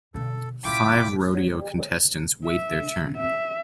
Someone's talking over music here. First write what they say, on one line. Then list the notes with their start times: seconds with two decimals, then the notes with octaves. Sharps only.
Five rodeo contestants wait their turn.
0.14 B2 D3 A4
0.64 A#2 C#3 E4 F4 G5 D6 B6
2.45 E5
3.17 E5